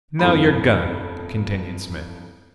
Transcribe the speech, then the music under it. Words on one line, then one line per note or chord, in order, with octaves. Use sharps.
"Now your gun!" continued Smith.
G1 F2 E4 B5